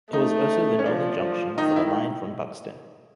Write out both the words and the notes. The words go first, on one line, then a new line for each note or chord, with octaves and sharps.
It was also the northern junction for the line from Buxton.
A3 D#4
C#4
F3 D4
F3
D#3 D#4
E4